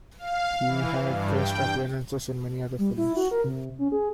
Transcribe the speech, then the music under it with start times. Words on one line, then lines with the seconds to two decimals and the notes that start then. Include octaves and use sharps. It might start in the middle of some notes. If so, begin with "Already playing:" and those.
He had guest appearances in many other films.
0.18 F5
0.66 E3
1.02 G2
1.31 G5
2.78 G3
2.97 E4
3.16 F#4
3.31 A#4
3.44 C3
3.79 C#4
3.92 G#4